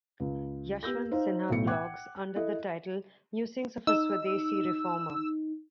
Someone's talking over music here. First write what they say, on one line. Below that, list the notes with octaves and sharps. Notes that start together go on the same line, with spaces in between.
Yashwant Sinha blogs under the title "Musings of a Swadeshi Reformer".
C#2
B3 G4 E6 G6 A#6
D#4 C5 F5
B1 A2 A3 C#7
F#5 G5 D6 F#6 G#6
E4 A4 D#5
D#4 E6